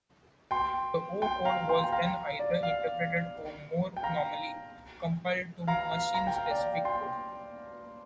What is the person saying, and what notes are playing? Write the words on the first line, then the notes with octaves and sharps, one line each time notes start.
The O-code was then either interpreted or, more normally, compiled to machine specific code.
G5 C6
G5 C6
F5 A#5
G5 C6
G5
F5 A#5
D5
F5
G5
F5 A#5
F5 A#5
F5
A#5
G5
F5
D5 G5
G5 C6